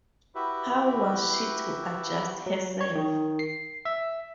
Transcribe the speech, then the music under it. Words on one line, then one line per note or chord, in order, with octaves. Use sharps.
How was she to adjust herself?
E4 F#4 G4 B4 E5
F#3
C#5
D#3
C7
E5